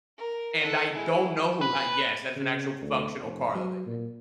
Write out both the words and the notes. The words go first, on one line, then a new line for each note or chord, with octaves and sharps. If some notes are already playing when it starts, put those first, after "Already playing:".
and I don't know who h Yes, that is an actual functional car that they made.
A#4
A4 F#5
G#3 E4
B4
C#3
D2
F1
F#3
A#2